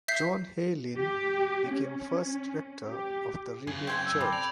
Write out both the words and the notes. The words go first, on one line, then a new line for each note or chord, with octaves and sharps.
John Heylyn became first rector of the rebuilt church.
E5 G6 B6 C7
G4
C#4
G4
F#2 C#3 G#4
C4 C5 G5 G6 G#6
E6
C4 G4 A4 B5
D5 F7